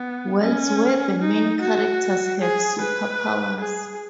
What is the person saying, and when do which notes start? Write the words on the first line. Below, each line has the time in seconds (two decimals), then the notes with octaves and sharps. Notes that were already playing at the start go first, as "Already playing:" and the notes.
Wells where the main characters have super powers.
Already playing: B3
0.42 C#4
1.22 D#4
1.61 F#4
2.41 G#4
2.81 B4
3.61 G#4